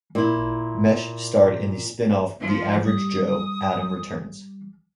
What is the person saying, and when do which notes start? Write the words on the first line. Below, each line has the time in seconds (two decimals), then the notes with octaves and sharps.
Mesh starred in the spin-off "The Average Joe - Adam Returns".
0.15 A#2 E4
2.41 F3
2.85 G3 D#6